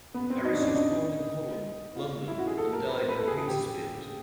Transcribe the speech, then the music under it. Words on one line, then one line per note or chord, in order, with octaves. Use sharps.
Harris was born in Fulham, London and died in Petersfield.
B3
C4
D#4
D4
C#4
D4
D#4
F4
E4
F#4
G#4
A4
A#4
B4
C5
B4
A4
G#4
G#4
G4